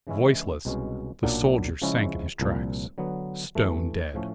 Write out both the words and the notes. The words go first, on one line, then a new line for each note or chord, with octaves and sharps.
Voiceless, the soldier sank in his tracks--stone dead.
C#3 E3 G#3 C#4 E4
C2 B2 G#3 C#4
B1 A#2 F#3 A#3 D4
C#3 F3 G#3 C#4 E4
C2 A#2 F3
D3 F#3 B3
G2 E3 A3
A2 F3 A3 C#4